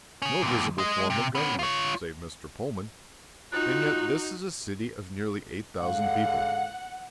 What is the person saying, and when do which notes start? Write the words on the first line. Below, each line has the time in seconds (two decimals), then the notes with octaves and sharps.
No visible form of government, save Mr. Pullman, and yet this is a city of nearly eight thousand people.
0.22 C#4 G#4
0.42 D#2 A#2
0.78 G#3 D#5
1.10 C3
1.35 B3 C#4
1.59 F4 C#5
3.52 D#4 F4 F#4 F#6
5.81 G#2 D3 F5 F#5